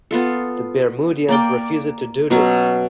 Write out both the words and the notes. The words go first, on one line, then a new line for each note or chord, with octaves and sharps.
The Bermudians refused to do this.
B3 F4 A4
A#3 D5 G5
B2 F#3 C#4